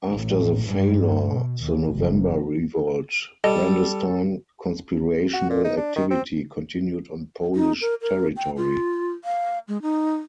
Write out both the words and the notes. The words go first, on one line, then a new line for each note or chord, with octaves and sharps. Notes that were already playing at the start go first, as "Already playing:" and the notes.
After the failure of the November Revolt, clandestine conspiratorial activity continued on Polish territory.
A1
G2
B2
D#2
F#1
G3 A4 D#5
F#4
A#2
D#4
D4
D#3
C4
D#4
A#4
A#4
G5
F4
F5
G#3
D#4